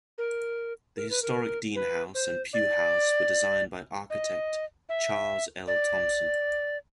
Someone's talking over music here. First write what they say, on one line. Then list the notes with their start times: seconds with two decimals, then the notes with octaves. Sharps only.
The historic Dean House and Pugh House were designed by architect Charles L. Thompson.
0.18 A#4
0.97 A#4
1.10 B4
1.22 A#4
1.75 B4
2.14 C5
2.53 D5
4.10 D#5
4.89 E5
5.67 D5